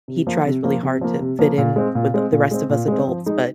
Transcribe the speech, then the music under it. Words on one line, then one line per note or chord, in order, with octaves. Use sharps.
he tries really hard to fit in with the the rest of us adults, but
C3
F3 A#3
C3
F3 A#3
C3
F3 A#3
C3
F3 A#3
A#2
G#3 C4
A#2
G#3 C4
A#2
G#3 C4
A#2
G#3 C4
F3
G#3 D#4 G#4